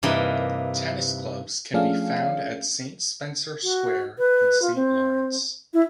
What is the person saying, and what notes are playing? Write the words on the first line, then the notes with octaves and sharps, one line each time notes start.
Tennis clubs can be found at Spencer Square and Saint Laurence.
G2 C3 E3 A#3 D#4
F3 A3 C#4 D4 G#4 F5
F#4
B4
F4
C4
E4